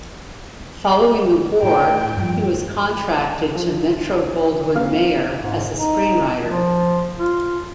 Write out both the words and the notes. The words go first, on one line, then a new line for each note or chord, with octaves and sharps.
Following the war he was contracted to Metro-Goldwyn-Mayer as a screenwriter.
A2 G5
G2 F3
F3
A#3 C4 B4 F5
G#2
D#4
F3
F4